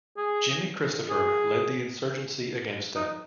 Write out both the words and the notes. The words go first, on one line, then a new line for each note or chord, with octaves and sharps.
Jimmy Christopher led the insurgency against them.
G#4
G#4
D#4